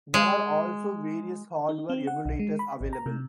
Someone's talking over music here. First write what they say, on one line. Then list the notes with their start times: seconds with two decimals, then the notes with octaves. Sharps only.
There are also various hardware emulators available.
0.14 G#3
1.69 D#4
1.90 C4
2.07 F#5
2.25 B1
2.39 G#3
2.59 B5
2.81 G#1
2.93 A#5
3.06 C3